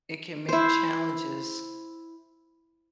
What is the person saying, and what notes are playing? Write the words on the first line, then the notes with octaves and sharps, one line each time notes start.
it can make challenges
E4 C5